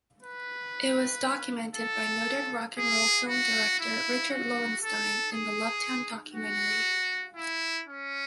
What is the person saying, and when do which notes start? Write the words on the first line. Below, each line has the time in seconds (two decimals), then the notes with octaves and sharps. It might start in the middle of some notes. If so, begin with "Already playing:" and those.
It was documented by noted rock'n'roll film director Richard Lowenstein in the "LoveTown" documentary.
0.23 B4
1.75 A4
2.77 G#4
3.29 F#4
3.80 E4
4.30 F#4
4.82 A4
5.33 G#4
6.35 F#4
7.36 E4
7.88 C#4